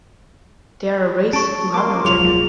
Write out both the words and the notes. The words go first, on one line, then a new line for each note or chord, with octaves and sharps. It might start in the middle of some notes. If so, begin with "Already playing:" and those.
They are a race who have no gender.
C#4 A5 C#6 D7
A#3 C6 D6
E1 C#2 F#3 G#3 F4 G#4 F7